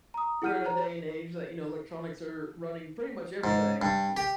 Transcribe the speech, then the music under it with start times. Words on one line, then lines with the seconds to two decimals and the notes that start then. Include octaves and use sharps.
we're in a day and age that, you know, electronics are running pretty much everything.
0.14 A#5 D#6
0.42 E4 G#4 F#5 F6 G6 D#7
0.65 C5 C#5 A#5
3.44 G#2
3.82 G2
4.17 G4